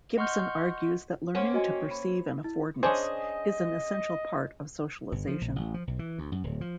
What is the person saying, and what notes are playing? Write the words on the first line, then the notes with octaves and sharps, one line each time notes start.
Gibson argues that learning to perceive an affordance is an essential part of socialization.
D#5 F#5 C6 C#6 F6 G6
A#3 C4 C#4 F#5
F#4 D#5 G#5
B5
E4
C#4 D4 G#4 C5 D#5
G1
F3
A#1
A1
F3
B1
E3
D2
F#2
D1
F3